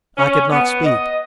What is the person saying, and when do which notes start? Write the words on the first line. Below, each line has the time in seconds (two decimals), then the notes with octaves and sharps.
I could not speak.
0.18 C#4
0.52 B3
0.84 D#5